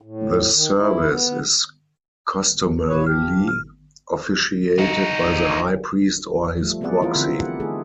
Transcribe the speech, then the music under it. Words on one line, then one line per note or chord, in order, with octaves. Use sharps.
The service is customarily officiated by the high priest or his proxy.
A2
D#3
E4
B3
A#2 B4 C#5
F3 G4 F6
F6
D#4 F#4
F3 G3 A3
B3 C4 F#4 G#4 D5 F#5
E3 E4 F4 A#4
D3 C4
G4 F#5
A3 D#4 G#4 A4